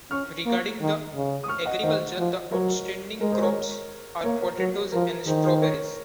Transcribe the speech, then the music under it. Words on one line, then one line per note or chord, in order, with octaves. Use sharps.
Regarding the agriculture, the outstanding crops are potatoes and strawberries.
C#4 C#6 F6
A#3
D#3
C#3
D#6
C#6 F6
D#5 F#5
D#3 C5 D#5
F3
F#3 A#4 C#5
G#3 A#4
G#4 C5
D#5
A#4 C#5
A#3 A#4 C#5
A#4
F#3 A#4
F3 A#4
D#3 G#4 C5
G#4 C5
A#4 C#5